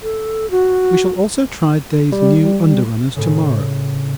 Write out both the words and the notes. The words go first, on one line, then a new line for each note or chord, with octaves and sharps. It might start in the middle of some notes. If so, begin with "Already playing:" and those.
We shall also try Day's new under-runners to-morrow.
A4
F#4
G3
A2 C#3